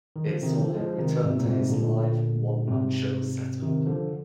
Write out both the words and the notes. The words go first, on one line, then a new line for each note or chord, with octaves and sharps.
It saw him return to his live one-man show set up.
D#3
D3 F3
C3 D#3
D3 F3
F3 G#3
F3
C3 D#3
G#2 C3
A#2
G#2 C3
A#2 D3
G#2 C3
C3 D#3
D3 F3